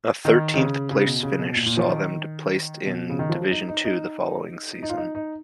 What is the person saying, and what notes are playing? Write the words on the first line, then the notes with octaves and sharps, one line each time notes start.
A thirteenth-place finish saw them placed in Division Two the following season.
D#3
D#3
C#3
C#3
B2
C#3
B2
A#2
A#2
F3
D#3
B2
C#3
D#3
F3
F#3
D#4
D#4
D#4
D#4
F4
D#4
D#4